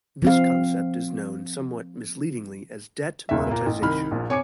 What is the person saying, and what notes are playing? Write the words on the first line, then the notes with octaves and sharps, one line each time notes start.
This concept is known somewhat misleadingly as debt monetization.
F3 C4 F5
E1 C#2 E5
A#2 A#3
A1
C2 D#3 D#4 B5 F6
A#1 A#2
C3 C#5 G#5 D6 C#7